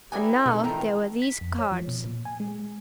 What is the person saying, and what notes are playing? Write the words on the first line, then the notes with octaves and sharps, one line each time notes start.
And now there were these cards.
B3 D4 E4 G4 A4 G#5 A#5
B2 G#3 C4 D#4 A4 E5
A2 D#3 E3 F4 G5 A#5
B6
F2
C#5
F3
B2
A#2
G#5
G#3